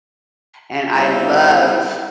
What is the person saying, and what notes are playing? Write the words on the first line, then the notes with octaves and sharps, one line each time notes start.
and I love
G3 B3 C4 E4 F4